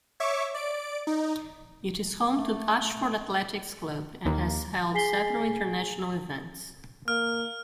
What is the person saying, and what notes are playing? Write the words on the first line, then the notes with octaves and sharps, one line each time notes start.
It is home to Ashford Athletics Club, and has held several international events.
C#5 E5 C#6 D6
D5 D7
D#4
A3
D#2 A#3
G#4 G#5 B6 C7 G7
A#3 F6